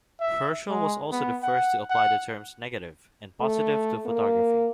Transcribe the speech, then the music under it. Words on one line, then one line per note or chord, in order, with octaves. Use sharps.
Herschel was also the first to apply the terms "negative" and "positive" to photography.
E5
G#3
B3
F#5
F#5
A3
A#3